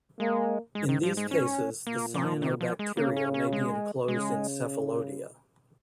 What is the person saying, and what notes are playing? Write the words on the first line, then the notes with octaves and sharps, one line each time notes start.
In these cases, the cyanobacteria may be enclosed in cephalodia.
G#3 A#3
G#2 G#3
D#3
F3
G#3
C#4
A#2 A#3
F3
D#3
F3
G#3
C#3 A#3
C#4
C#4
G#3
C#3 G#3